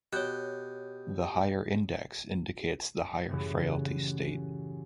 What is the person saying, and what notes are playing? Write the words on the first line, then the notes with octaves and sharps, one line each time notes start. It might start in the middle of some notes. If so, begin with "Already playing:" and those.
The higher index indicates the higher frailty state.
B2 G4 C#5 F#6 G6
F#2 A2 C#3 E3 G3